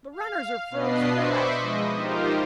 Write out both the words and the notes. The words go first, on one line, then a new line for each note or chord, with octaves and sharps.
The runners are froze fast.
F5
B2 B3 D4 B4 D#5 C7
C5 E5 B5 C#6 D6
F3 G#3 D#5
D#4 F4 G4 A#4 C5